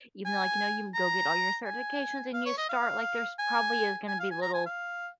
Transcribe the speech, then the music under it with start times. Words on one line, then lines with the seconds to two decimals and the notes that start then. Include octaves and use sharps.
even though, like, you know, you go get all your certifications and you start, like, there's probably is gonna be little,
0.25 G#5
0.95 A#5
1.65 G#5
2.34 F5
2.46 C#5
2.58 D#5
2.69 F5
3.39 G#5
4.08 G#5
4.19 F5
4.31 G#5
4.42 A#5
4.54 G#5
4.66 F5